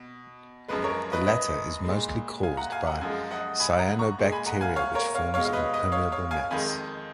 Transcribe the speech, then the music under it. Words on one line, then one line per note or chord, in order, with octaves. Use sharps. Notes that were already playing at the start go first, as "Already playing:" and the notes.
The latter is mostly caused by cyanobacteria which forms impermeable mats.
Already playing: B2
F#2 F3 G#3 B4
A#4 C#5
B4 D#5
B4 D#5
A#2 G#3
F5 G#5
F#5 A#5
F5 G#5
F#5 A#5
F#2 F3 G#3 F5 G#5
D#5 F#5
G#5 B5
F#5 A#5
A#5 C#6
A#2 G#3
G#5 B5
F#5 A#5
F5 G#5
C#5 F5
A#4 C#5
C#5 F5
B2 G#3 C#5 F5
F5
B4 D#5
B4 D#5
C#5 F5
C#5 F5
F5 G#5
F2 D#3 G#3 G#5 B5